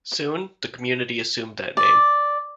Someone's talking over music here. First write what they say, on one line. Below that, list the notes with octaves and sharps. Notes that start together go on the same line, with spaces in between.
Soon, the community assumed that name.
D5